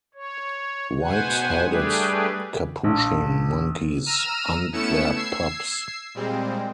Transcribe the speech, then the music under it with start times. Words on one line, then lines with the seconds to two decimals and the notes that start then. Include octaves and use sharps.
White-headed capuchin monkeys hunt their pups.
0.14 C#5
1.01 B2 B4 C5 F#5 G#5
1.62 G3 A3 D4 G4 G#4 B4
2.84 A#1
4.06 A#5 E6 F6 D#7
4.72 A3 B3 C#4 E4 C#7 E7
5.14 E6 G#6 C7
6.14 A#2 G3 G#3 C4